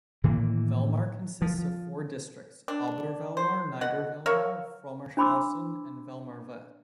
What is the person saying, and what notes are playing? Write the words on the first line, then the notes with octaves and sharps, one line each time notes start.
Vellmar consists of four districts: Obervellmar, Niedervellmar, Frommershausen and Vellmar-West.
A2 D#3 E3 A#3
F3
F3
D4
C5
B2 F#5
A#4 C#5 E5 F5
D4 C5 B5 C6 D6 E6